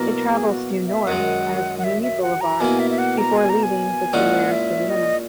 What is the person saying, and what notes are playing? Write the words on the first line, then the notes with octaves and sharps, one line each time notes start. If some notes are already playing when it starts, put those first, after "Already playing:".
It travels due north as Mooney Boulevard before leaving the Tulare city limits.
Already playing: B2 F#3 A#3 E4 A#4
G#4
F#4
E5
F#2 D#3 G#3 F#5
F#5
E5
E5
F#5
A#5
B2 A#3 E4 G#5
E5
E5
F#5
A#5
G#5
A#5
G#5
A#2 G#3 C#4 E4 F#5
E5
D#5